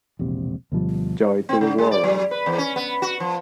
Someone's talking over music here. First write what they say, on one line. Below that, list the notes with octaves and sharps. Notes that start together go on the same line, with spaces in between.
Joy to the world.
E1 A#1 C3
D2 B2 F3 G3
C4
C#3
G#3
D5
F#3
B4
E2
C#4
B3
F#4
F3